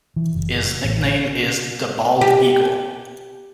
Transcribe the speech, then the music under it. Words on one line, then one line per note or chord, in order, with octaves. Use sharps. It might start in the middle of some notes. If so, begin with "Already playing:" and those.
His nickname is "The Bald Eagle".
E3
F#1
A1
G4